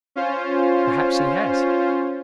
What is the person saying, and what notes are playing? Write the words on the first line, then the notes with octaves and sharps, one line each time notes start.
Perhaps he has.
C#4 F4 C5